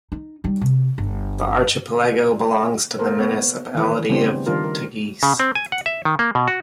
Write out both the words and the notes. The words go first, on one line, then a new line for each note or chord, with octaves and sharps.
The archipelago belongs to the municipality of Teguise.
D#4
G3 D#4
C3
G1
A#3 A4 A#4 C5
B3 C#5
D#3 E3 E4 B4
C#3 G3 A3 B3 C4 D4
D#3 G3 D4 F4 A#4
A#4
C#3
C4
G#5
F#5
E5
D#3
A#3
B2
F#4